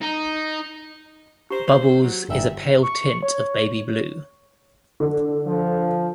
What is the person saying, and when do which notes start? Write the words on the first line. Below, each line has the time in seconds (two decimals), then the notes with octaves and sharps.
Bubbles is a pale tint of baby blue.
0.02 D#4
1.51 G4 A#4 C5
1.66 D#2 C5
2.01 F#3
2.29 G1 D#4 E5
2.82 C#6
3.23 C#5
5.00 D3
5.46 F3